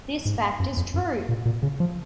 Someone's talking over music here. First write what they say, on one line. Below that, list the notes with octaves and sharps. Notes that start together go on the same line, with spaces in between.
This fact is truth!
G#2
F#2
F2
F#2
A#2
A#2
C#3
F3